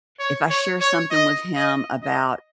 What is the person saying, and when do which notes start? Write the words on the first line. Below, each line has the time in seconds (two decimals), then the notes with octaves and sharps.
if I share something with him about
0.20 C#5
0.50 C#5
0.81 C#5
1.11 D#5
1.56 D#5
2.03 D#5